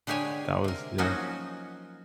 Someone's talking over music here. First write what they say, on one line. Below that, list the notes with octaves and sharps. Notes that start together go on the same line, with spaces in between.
That was yeah.
D3 G#3 G4 C#5 G#5
C3 A#4
F3 F#3 A#3 C#4 D#4 F#4